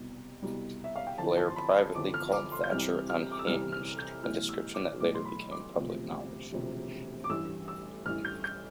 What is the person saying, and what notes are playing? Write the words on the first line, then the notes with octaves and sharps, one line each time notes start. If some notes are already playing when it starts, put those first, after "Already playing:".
Blair privately called Thatcher "unhinged", a description that later became public knowledge.
Already playing: C2 B2 G3
C2 B2 G3
E5
F5
G5
G1 F2 E3 A5
A5
C6
B5
G1 F2 E3 D6
F6
D6
C6
G6
C2 C3 E3 G3 F6
F6
D6
E6
C2 C3 E3 G3 F6
F6
G6
B1 A2 E3 F6
E6
D6
B1 A2 E3 D6
C6
B5
D6
E1 D2 C3 F3
E1 D2 C3 F3
D6
A1 G2 E3 E6
E6
A1 G2 E3 F6
G6
G6